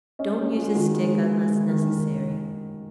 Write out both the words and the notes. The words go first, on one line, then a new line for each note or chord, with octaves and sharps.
Don't use a stick unless necessary.
C#4 D#5
C#4
G#3 F4
D#3 F#4
G#3
G#3
G#3
D#3
D#3
D#3